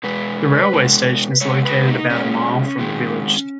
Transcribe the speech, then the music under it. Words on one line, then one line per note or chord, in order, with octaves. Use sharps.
The railway station is located about a mile from the village.
B2 G#3 B4
B2 G#3
B2 G#3 C#5
B4
D#4
B2 G#3 C#4
G#2 D#3 G#3